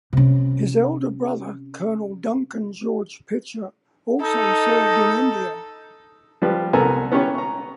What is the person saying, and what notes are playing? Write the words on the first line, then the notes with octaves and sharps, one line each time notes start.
His elder brother Colonel Duncan George Pitcher also served in India.
C3 C#4
D#4 A4
F3 G3 B4
C2 B3 A4 A#4 G#5 A#5
B3 C#4 E4 G4 B4 C#5
A#5 C#6